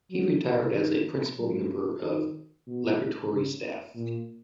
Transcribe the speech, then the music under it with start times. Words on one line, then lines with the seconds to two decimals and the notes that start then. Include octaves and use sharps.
He retired as a Principal Member of Laboratory Staff.
0.11 F#3
0.75 D#3
1.40 F#3
2.04 D#3
2.68 B2
3.32 C#3
3.96 A#2